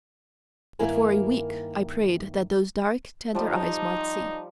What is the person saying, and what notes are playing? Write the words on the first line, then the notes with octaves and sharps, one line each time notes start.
But for a week I prayed that those dark tender eyes might see.
G2 D#3 A#3 E4 A#4 G#5
F3 G3 D#4